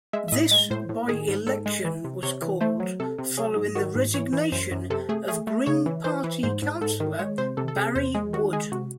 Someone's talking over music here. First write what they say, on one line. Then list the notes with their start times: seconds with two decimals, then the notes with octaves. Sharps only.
This by-election was called following the resignation of Green Party councillor Barrie Wood.
0.13 G#3 E5
0.28 E5
0.32 A2 D#5
0.51 G#3
0.70 A2 C5
0.89 A2
1.08 D#3 G#4
1.28 G#2
1.47 G#2 A4
1.66 G#3
1.85 E3
2.04 C3
2.23 C3 C#5
2.42 E3
2.61 A3 C5
2.80 F#3
3.00 C3 A4
3.18 C3
3.37 F#3 G#4
3.56 G#2
3.75 D#3 F#4
3.95 G#2
4.14 E3 C#5
4.33 E3
4.52 F#2 C5
4.71 F#2
4.90 C3 A4
5.09 A3 G#4
5.28 A3 G#4
5.47 A3
5.66 C#3 C#5
5.86 E3
6.04 E3 C5
6.24 E3
6.43 G#2 C5
6.62 G#2
6.81 G#2 A4
7.00 D#3
7.19 G#3 C#5
7.38 C3 C5
7.57 C3 A4
7.68 A4
7.76 C3 G#4
7.95 E2 C5
8.14 G#3 G#4
8.33 D#3 F#4
8.53 G#3 G#4
8.72 C3 F#4